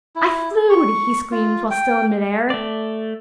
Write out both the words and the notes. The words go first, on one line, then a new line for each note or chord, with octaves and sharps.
"I flewed!" he screamed while still in mid-air.
E4
C#6
F4
G5
A3 D5